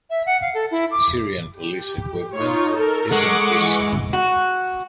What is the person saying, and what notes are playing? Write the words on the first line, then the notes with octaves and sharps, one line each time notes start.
Syrian police equipment is an issue.
E5
F#5
F5
A4
E4
D6
G4
D#4 F4 C#5
A4 A#4
G#3 F#5 C#6 D6
E3
F#4